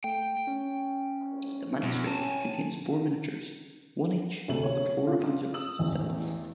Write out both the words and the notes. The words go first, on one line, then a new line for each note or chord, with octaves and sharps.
The manuscript contains four miniatures, one each of the four Evangelists' symbols.
A3 G5
C#4
E2 B2
C#4 G#5 A5
D2 C3 A3 F#7
C#5
F4
D#6 E6 F#7
A1 E2